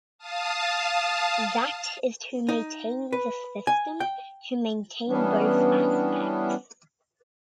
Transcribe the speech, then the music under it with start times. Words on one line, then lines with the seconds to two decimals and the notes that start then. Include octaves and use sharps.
That is to maintain the system to maintain both aspects.
0.18 F5 A5 D#6
2.49 D#4
3.13 B4
3.67 G#5
4.00 G5
5.08 E3 G3 B3 C#4 D4